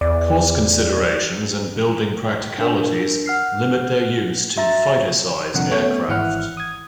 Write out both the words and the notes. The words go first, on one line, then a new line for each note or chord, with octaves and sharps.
Cost considerations and building practicalities limit their use to fighter size aircraft.
E2 D5
D4 A#4
F#5 F6 C7
F#4 E5 A#5 A6
C2 F2 D3 F#5
A3 B3 C#4 C#5
G#1 E3 E4 F#5 F6
D#6 G#6